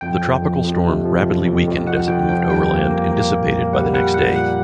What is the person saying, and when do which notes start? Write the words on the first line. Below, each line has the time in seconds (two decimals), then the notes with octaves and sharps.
The tropical storm rapidly weakened as it moved overland and dissipated the next day.
0.01 F2 G5
0.22 F3
0.43 F2
0.64 F2
0.84 C3
1.05 F3
1.26 F2
1.46 F2
1.67 F2
1.87 F2 F#5
2.08 F2 G5
2.29 F3 G5
2.49 G3 G5
2.71 A#3
2.90 A#3
3.12 A#3
3.32 A#2
3.52 A#3
3.73 G3 F#5
3.93 G3 F#5
4.14 A#2 F#5
4.36 A#2 F#5